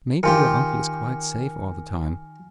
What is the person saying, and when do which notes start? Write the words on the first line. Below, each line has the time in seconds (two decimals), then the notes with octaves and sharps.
Maybe your uncle is quite safe all the time.
0.23 D#3 F4 G4 G#5 F6 C#7